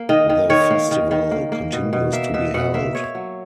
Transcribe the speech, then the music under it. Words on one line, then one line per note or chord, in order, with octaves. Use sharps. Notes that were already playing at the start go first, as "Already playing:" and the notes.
The festival continues to be held.
Already playing: A#3
D#3 D#5
D#3
D#3 C#5
A#3
D#3
D#3
A#3
A#3
B2
B2
A#3 E5
B2 E5
B2 F#5
A#3 E5
A#3 C#5
F#3